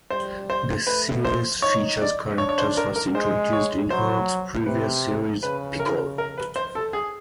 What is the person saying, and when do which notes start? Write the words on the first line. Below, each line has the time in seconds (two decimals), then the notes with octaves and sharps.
The series features characters first introduced in Horrocks' previous series, "Pickle".
0.10 G3 C5
0.50 C5
0.87 A3 B4
1.25 C5
1.62 D#4 C#5
2.01 D5
2.38 D4 C#5
2.49 C#5
2.58 C5
2.77 A#4
2.96 A#4
3.15 G#3 C5
3.53 C#5
3.90 F#3 C5
4.66 C3 B4
5.42 C#3 B4
5.80 A#4
6.18 A#4
6.38 B4
6.56 C5
6.75 A4
6.93 G#4